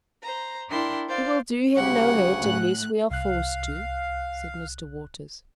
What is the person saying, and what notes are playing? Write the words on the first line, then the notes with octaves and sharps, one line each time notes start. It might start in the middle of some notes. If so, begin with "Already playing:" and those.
"We will do him no hurt unless we are forced to," said Mr. Waters.
C5 A#5
D4 E4 A#4 G5 C6
C5 D5 F5
D2 C#3 G3 G4 F#5 G#5 C#6
A2 F#6
C2 F5 F#6